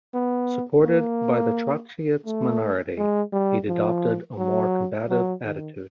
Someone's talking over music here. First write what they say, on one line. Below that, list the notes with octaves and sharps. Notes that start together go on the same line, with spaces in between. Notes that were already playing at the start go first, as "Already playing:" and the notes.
Supported by the Trotskyist minority, he adopted a more combative attitude.
B3
A#3
A3
G#3
G3
F3
F#3
F#3
D#3